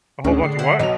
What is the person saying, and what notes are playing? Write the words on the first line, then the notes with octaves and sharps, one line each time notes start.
A whole bunch of what?
D2 A2 G#3 C#4 D4
D3 C7
E4 C5 F#5
B1 F#3 B3 A4 D#5 F7